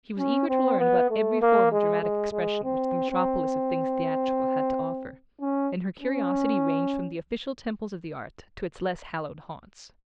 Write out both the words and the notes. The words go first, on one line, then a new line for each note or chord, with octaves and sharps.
She was eager to learn about every form of dramatic expression which the metropolis of things theatrical had to offer, and her curiosity ranged from the official temples of the art to its less hallowed haunts.
C#4
C4
B3
A3
A#3
G#3
G#3
G#3
C4
C4
C#4
C#4